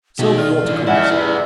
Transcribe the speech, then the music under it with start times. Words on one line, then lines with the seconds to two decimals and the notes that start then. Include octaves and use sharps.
Silver water-coolers.
0.19 B2 A3 D#4 F#4 G4
0.38 F4 D5
0.66 E3 D4
0.87 F2 C#3 G#3 A3 E4 F#5 G#5
1.11 C3 E4 G#4 B4